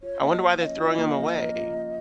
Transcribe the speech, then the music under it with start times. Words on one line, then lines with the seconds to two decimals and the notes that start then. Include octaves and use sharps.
I wonder why they're throwing 'em away.
0.02 F4 C#5
0.21 A#3 D#5
0.41 F3
0.60 C#4 D#5 F5
0.79 F4
0.98 A#3
1.18 F3
1.37 C#4
1.56 F4
1.74 A#3